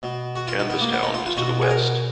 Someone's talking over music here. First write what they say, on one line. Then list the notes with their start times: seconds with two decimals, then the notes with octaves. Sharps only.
Canvastown is to the west.
0.03 B2
0.36 F#4
0.47 F4
0.59 D#4
0.70 B3
0.81 A#3
0.93 B3
1.03 D#4
1.14 F4
1.26 F4
1.37 B2 F#4
1.62 G#4
1.70 A#4